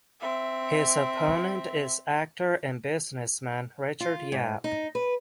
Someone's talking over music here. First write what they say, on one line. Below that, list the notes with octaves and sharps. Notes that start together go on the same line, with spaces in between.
His opponent is actor and businessman Richard Yap.
C4 E5
F4
G#2
D#4
B4